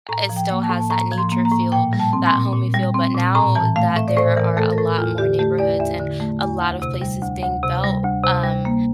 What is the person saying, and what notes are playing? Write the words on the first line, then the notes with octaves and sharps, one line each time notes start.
it still has that nature feel, that homey feel. But now that there are a lot more neighborhoods and a lot of places being built, um,
A2 A#5
F3
G5
A#3
A5
A2
A5
A2 A#5
F3
C6
A#3
A#5
A2
A#2 G5
G3
A5
C4
C6
A#2
A#2
G3
C4
A#2
A2 A#5
E3 A5
A3 F5
A2 E5
D5
A2 C5
E3 A#4
A3 A4
A#4
A2 A4
E2 F4
D3 G4
A3 G4
E2 D5
E2 E5
D3
A3
E2
D2
C3
G3
D2
D2
C3
G3
D2
C3
G3
A#3